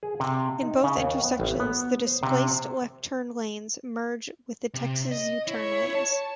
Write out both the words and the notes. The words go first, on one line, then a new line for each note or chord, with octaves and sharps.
In both intersections, the displaced left turn lanes merge with the Texas U-turn lanes.
G#4
C3
D#4
C#3
D#2
B3
A1
B3
C5
C3
C5
C3
D#5
E4 C#5
A5